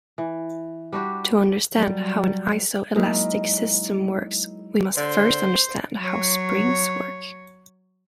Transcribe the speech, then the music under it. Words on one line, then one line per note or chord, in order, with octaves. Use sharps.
To understand how an iso-elastic system works, we must first understand how springs work.
E3
G3 D4 F#4 G4
F#3 G3
F#3 G#3 A#3 D#4 E4 A#4
D3 C5
F#3 C#5